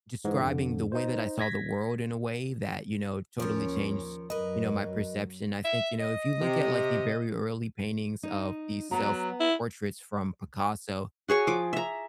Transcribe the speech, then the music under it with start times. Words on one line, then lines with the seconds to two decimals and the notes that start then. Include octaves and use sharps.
describing the way that I saw the world, in a way, that, you know, totally changed, you know, my perception I think, you know, if you look at, like, the very early paintings of these self-portraits from Picasso,
0.25 G#2 E3
0.40 F2 D3
0.92 D#4 C5
1.39 G#6 A#6 B6
3.40 D#2 F3 C#4 A#4 C#5
4.30 F#2 F#3 A#4 B4 D#5
5.64 E5
6.00 D#5
6.41 C3
8.23 D#4
8.91 F#3 B3 A#5
9.40 E4
11.28 F#4 G#4 C#5 C#6
11.47 F3 D6
11.73 E5 A#5